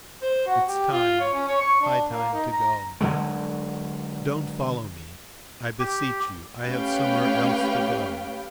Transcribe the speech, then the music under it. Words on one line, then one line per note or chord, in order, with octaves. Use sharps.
It's time, high time to go. Don't follow me, I beseech you, I have somewhere else to go....
C5
F#4
G4
F4
C#5
C#4
C#5
C#6
D4
A#3
D#4
A#5
D3 F#3 G#3
G4
A3 C#4 G4 B4 F5 G5